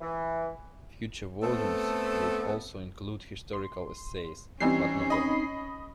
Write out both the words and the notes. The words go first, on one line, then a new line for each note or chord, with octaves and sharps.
Future volumes would also include historical essays, but not all.
E3
A3 B3 C4 A4
C6
E3 G3 C4 C#4 D#4 C7
D#5 B5